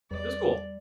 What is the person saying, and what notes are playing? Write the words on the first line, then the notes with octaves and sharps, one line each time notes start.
it's cool.
E2 G3 D5